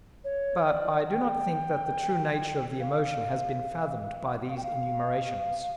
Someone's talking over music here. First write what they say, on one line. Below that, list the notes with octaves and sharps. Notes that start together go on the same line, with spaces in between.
But I do not think that the true nature of the emotion has been fathomed by these enumerations.
C#5
D5
G5
F5
F5
G5
F5